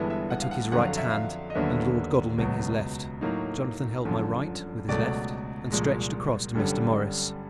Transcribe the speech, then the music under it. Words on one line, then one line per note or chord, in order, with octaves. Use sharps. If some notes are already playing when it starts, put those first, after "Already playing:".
I took his right hand, and Lord Godalming his left; Jonathan held my right with his left and stretched across to Mr. Morris.
Already playing: G1 G2 E3 G#3 B3 E5
E5
F#5
F5
F#5
F2 D3 F#3 F#5
F5
E5
F5
D#5
D#2 D3 F#3 B3 D4 E5
C#2 B2 F#3 B3
A2 F#3 A#3 D#4
G1 F#2 D3 F3
C#2 B2 F#3 A3 D5
C2 A#2 F3 G#3
G1 F#2 D3 G3